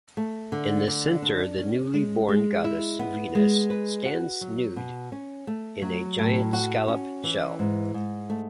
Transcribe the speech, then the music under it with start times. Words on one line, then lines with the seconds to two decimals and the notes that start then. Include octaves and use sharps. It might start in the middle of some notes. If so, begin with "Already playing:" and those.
In the centre the newly-born goddess Venus stands nude in a giant scallop shell.
0.17 A3
0.52 D3
0.87 D3
1.22 D4
1.58 C#4
1.94 G#3
2.29 G#3
2.64 E4
2.99 B3
3.35 G#3
3.70 B4
4.05 F#4
4.41 F#3
4.76 B2
5.12 C#4
5.47 A3
5.82 F#3
6.18 A2
6.53 F#4
6.88 C#4
7.24 E3
7.59 G#2
7.94 G#2
8.30 A3